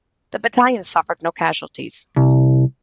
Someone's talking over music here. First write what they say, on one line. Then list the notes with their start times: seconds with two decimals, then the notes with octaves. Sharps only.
The battalion suffered no casualties.
2.16 C2